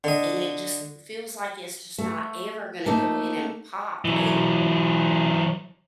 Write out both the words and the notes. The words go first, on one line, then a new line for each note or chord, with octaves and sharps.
and it just feels like it's just not ever gonna go ahead and pop, and
D3 D#5
A3
A3 A#3 D#4
E3 F#3